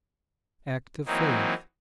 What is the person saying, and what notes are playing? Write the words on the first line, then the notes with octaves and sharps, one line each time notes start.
Act of Faith.
E3 F#3 A#3 C4 D#4